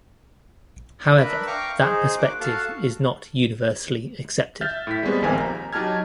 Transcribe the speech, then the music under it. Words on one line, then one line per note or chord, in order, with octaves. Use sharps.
However, that perspective is not universally accepted.
D4 A#4 B4 E5 B5
F5 G5 A#5 C#6 D6
D#4 G#4 C5
A#3 F#4 F#5 D6
F#4 A4 F5 A5
E5 F6 G6 A6
A2 B6
G3 G#3 B3 C4
A#1 D#2 A#3 C4 A#4 G#5
A#5
F#3 D#4 G4 A5 F6 G#6